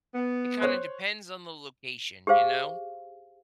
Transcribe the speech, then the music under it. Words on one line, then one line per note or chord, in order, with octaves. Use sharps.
it kinda depends on the location, you know?
B3
C5 C#5 F#6
G4 G#4 C5 F5